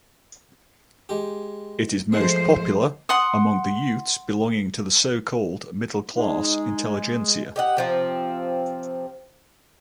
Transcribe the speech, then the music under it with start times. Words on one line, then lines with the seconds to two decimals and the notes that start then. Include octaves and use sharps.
It is most popular among the youths belonging to the so-called "middle-class intelligentsia".
1.09 G#3 G4
2.12 F3 G#3 A3 C5
3.09 F#5 C6 D#6
6.16 G#3 D#4
7.56 G4 D#5 F#5
7.77 C3 F3 C4